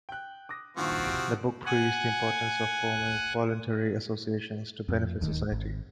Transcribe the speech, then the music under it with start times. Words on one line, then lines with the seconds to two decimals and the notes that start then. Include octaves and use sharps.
The book preached the importance of forming voluntary associations to benefit society.
0.09 G5 F#6
0.49 D6 D#6 A#6
0.77 G2 A#2 D#3 F3 C4 F#4
1.04 C3 E4 D7
1.66 F#5 G#5
4.89 F2
5.21 D1 D#2 D#3
5.52 G#1